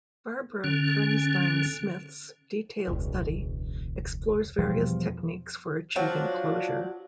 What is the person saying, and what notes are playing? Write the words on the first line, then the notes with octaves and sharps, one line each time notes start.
Barbara Herrnstein Smith's detailed study--explores various techniques for achieving closure.
D3 C#4
E1 C#2
E2 B2 F3 G3
F3 F#3 D4